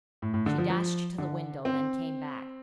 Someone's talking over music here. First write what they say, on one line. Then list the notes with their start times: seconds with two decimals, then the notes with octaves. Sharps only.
She dashed to the window, then came back.
0.22 A2
0.34 A2
0.46 D3
0.58 F3
0.70 F3
1.18 D3
1.65 C4